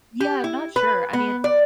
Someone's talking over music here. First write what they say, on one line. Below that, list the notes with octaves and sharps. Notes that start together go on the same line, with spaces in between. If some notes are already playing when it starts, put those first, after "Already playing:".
Yeah. I'm not sure. I mean
G4
E4
B4
B3
D5